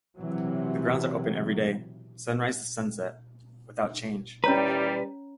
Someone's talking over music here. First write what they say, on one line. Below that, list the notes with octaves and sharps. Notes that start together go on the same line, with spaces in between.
The grounds are open every day, sunrise to sunset, without charge.
C3 E3 F#3
D#2 E3 G3 C#4 B4 C#5 A#5